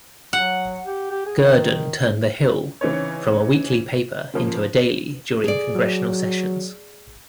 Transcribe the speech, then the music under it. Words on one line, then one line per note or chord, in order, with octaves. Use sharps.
Gurdon turned "The Hill" from a weekly paper into a daily during congressional sessions.
F#3 F#5
G4
G4
G#4
D#3
C#3 E3 C4 C#4 D#4 C#5
C#3 F3 A#3
G#4 D5
F#3